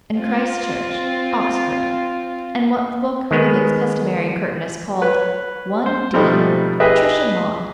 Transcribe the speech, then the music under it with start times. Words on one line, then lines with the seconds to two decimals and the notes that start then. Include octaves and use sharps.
Eton and Christ Church, Oxford, and what the book with its customary curtness called "one d."--Patricia Maud.
0.19 C4 F4
3.31 D#3 G#3 B3
5.02 B4 C#5
5.86 C5
6.14 G#2 B2 F3 G3 A3 C4
6.80 G4 G#4 B4 D#5 E5